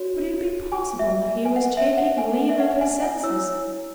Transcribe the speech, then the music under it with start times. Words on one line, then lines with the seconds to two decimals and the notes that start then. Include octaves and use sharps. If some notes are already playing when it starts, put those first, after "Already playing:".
Could it be possible that he was taking leave of his senses?
Already playing: F#4 C#5
0.72 G#5
0.99 E5
1.45 G#5
1.56 F#5
1.77 E5
1.98 F#5
2.18 G#5
2.49 E5
2.60 F#5
2.81 G#5
3.02 G#5
3.23 E4 C#5 E6